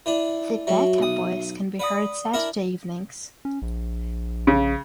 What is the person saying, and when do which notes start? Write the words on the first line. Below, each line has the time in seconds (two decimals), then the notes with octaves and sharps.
The Baka Boyz can be heard Saturday evenings.
0.06 E3 D4
0.67 F#3 F#4 E5
0.98 B1 D#6
1.79 B4 D5 F#5 D#6
2.34 D4 E4 A#4
3.45 C#4
3.62 A#1
4.47 C#3